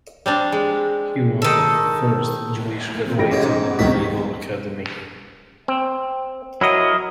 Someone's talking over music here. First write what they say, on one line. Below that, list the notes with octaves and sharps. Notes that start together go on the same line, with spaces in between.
He was the first Jewish graduate of the Naval Academy.
G3 C4 D4
G#3
D#3 A4
E3 C4
A1 F4 G4 G5 A#6 D7
B2 G#3 C#4 G4 C#5
G#2 C#4 D#4
B3
C3 D#3 F#3 B6
C4
F#3 E4 A#4 D#5